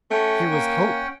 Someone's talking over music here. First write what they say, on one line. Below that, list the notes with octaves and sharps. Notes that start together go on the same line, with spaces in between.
Here was hope!
A3 C#4 F#5 G5
A#3